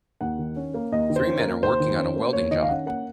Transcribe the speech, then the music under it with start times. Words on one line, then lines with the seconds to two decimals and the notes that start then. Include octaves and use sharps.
Three men are working on a welding job.
0.21 D#2 F#5
0.39 D#3
0.56 C#4
0.74 A#3
0.92 D#2 D#5
1.10 D#3
1.16 C5
1.27 C#4
1.39 A#4
1.45 A#3
1.62 D#2 C5
1.80 D#3
1.98 C#4
2.16 A#3
2.33 D#2 C#5
2.51 D#3 D#5
2.63 F5
2.69 C#4 F#5
2.86 A#3 F#5